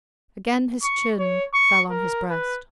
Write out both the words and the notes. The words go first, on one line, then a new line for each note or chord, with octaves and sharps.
Again his chin fell on his breast.
C#6
C#5
C#6
A#4
B4